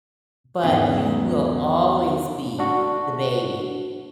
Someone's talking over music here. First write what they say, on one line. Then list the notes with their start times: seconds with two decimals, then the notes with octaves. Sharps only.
But you will always be the baby,
0.63 E2 G#2 C#3 E3
2.59 D4 F#4